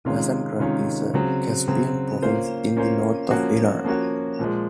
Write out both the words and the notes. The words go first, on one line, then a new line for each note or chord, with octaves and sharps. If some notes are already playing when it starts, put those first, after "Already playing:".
Mazandaran is a Caspian province in the north of Iran.
C3 D#3 G#3 C#4 F4
C3 D#3 G#3 C#4 F4
C#3 F#3 C4
C#3 F#3 C4
A#3 C#4 F4 C5
A#3 C#4 F4 C5
F3 A#3 C#4 F#4
F3 A#3 C#4 F#4
A#2 F3 G#3